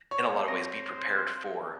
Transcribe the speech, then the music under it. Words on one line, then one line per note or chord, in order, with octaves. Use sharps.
in a lot of ways, be prepared for
C#5 C#6
C4 C5 A#6